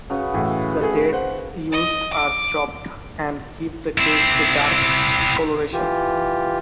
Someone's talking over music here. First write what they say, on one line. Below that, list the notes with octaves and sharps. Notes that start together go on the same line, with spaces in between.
The dates used are chopped, and give the cake a dark coloration.
C#3 F#4 B4
A2 E3
A3 G#4
C5 F#5
D#5
D6
C4 E4
E3 F4 G4